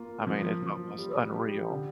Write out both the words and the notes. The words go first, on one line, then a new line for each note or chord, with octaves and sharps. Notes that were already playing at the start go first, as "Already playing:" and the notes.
I mean, it's almost unreal.
Already playing: A#3 F4
F3
F3
G3
G4
D3